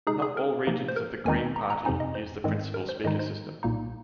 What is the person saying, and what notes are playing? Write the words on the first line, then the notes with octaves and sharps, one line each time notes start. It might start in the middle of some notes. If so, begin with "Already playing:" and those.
Not all regions of the Green Party use the Principal Speaker system.
C3 G#3 D#4 G#4
G#4
A#4
C3 F3 A#3 D#4
C5
A#4
D#2 D#3 G#3 C4 D#4 G#5
A#5
A#5
F2 C3 F3 C4 D#4 G#5
D#5
C5
G#2 D#3 G#3 C4
A#4
C5
G#2 D#3 G#3 D#4 D#5
C5
C2 A#2 A#3 D#4